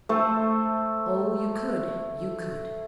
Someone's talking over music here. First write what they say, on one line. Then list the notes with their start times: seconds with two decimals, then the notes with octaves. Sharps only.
"Oh, you could--you could."
0.09 A3 A4 C5